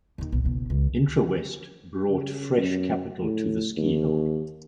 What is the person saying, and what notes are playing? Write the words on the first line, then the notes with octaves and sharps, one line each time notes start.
Intrawest brought fresh capital to the ski hill.
D#2 D#3
B1
F#1 B2
C#2
C#3
F#2
A2
D#2